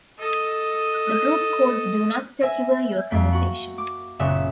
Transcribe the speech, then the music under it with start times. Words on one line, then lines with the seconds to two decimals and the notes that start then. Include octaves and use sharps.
The group codes do not secure your conversation.
0.19 A4 D#5
2.40 E5 G#5 E6 A#6 D#7
3.10 F2 A#3 B6
3.33 F#4
3.78 D6
4.19 F#1 A#2 C#3 B3 E5 E7